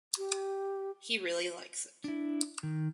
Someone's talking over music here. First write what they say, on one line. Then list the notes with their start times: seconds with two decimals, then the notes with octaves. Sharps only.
He really likes it.
0.18 G4
2.04 D4 E4
2.63 D#3